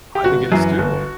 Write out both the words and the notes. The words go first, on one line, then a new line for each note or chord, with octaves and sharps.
I think it is too.
G4
G1 F#4
F#2 E3
G1